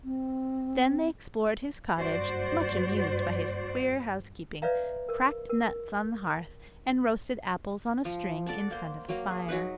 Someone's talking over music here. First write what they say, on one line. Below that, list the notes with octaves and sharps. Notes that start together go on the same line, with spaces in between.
Then they explored his cottage, much amused by his queer housekeeping, cracked nuts on the hearth, and roasted apples on a string in front of the fire.
C4
F#1 G2 F#4 C5 D5
B4 C#5 D5 E5 F5 A#5
A#4
A#4
F3
A4 D5 F#5 A5
A#3 C5
F#3 A#3
G#4
F#3 D#4 B4